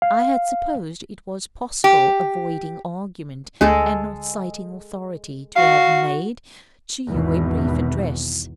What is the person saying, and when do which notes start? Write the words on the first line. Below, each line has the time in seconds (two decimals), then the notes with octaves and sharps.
I had supposed it was possible, avoiding argument and not citing authority, to have made to you a brief address.
0.02 F5
1.84 G4
3.61 D2 G#3 A4
5.56 F#4 F5
7.11 G#1 E2 B2